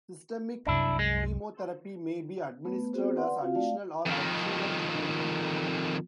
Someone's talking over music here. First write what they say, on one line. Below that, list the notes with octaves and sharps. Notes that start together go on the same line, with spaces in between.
Systemic chemotherapy may be administered as additional or adjuvant treatment.
C2 F#2 D4 E4
G#3
A3 B3 B4
B3 C4 F#4 G#4 C5
B4 D5 F#5 C6
C4 F4 F#4 F5
A3 D5 F5
F2 D#3